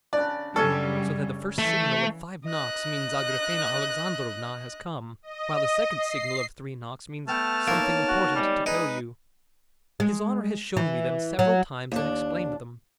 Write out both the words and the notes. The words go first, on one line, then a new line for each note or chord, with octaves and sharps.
So that the first signal of five knocks means Agrafena Alexandrovna has come, while the second signal of three knocks means 'something important to tell you.' His honor has shown me them several times and explained them.
C#3 D4 D5
F#2 C#3 G3 C#4 A4 G#5
E3 A3
D#5 F#6
D#5
C7
A3 B3 G5 A5 F6 C#7
A#3 D#4 C#5
F#4
G3 G#3 D5 D#5
D#4 G#4 B4
G#3
E3
F#3
D#2 D4